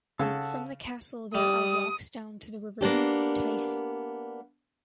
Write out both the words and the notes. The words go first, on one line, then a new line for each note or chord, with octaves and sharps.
From the castle there are walks down to the River Teifi.
C#3 A4 F#5 A5
G3 D#6
A#3 B3 D4 G4